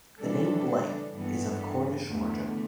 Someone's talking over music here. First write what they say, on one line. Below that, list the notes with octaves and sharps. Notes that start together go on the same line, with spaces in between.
The name Blight is of Cornish origin.
C#3 E3 G3 D4 A4
G2 E3 B3 D4 A4
E2 D3 A3